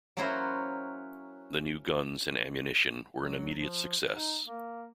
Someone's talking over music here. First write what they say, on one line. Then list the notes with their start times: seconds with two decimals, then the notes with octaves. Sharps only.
The new guns and ammunition were an immediate success.
0.17 F#3 A#3 C#4 E4 F#4 C5
3.15 F#3
3.52 F3
4.11 D#4
4.44 A#3